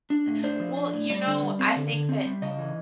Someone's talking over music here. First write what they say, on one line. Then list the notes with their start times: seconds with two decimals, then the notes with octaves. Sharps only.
Eh Well, you know, I think that
0.10 D4
0.27 A2
0.43 D4 C5
0.60 F3
0.76 D4
0.93 A2
1.10 G3 D5
1.26 D3
1.43 G3
1.59 C4
1.76 D3
1.93 D3
2.09 C4
2.25 G3
2.42 C#3 D#5
2.58 E3